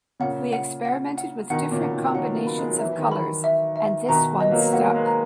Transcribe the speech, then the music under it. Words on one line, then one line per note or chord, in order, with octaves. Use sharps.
We experimented with different combinations of colours and this one stuck.
A#2 C#3 F#5
F#5
F#5
F#5
B2 D#3 F#5
A#2 C#3
F#5
B2 D#3
D#3 F#3 F#5
B3
F#3 A#3
B5
G#3
F#3
E3 E5
D#3 F#3
B5
E5
E5
B2 D#3 A#5
D#5
B3
F#3 A#3
F#3 A#3 F#5
G#3 B3
A#5